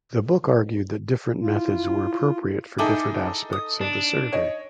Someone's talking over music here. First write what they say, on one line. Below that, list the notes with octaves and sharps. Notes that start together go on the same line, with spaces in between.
The book argued that different methods were appropriate for different aspects of the survey.
E4 F4
D#4 E4 G#4 A4 G5 D6
D#6
D4
C#5 D#5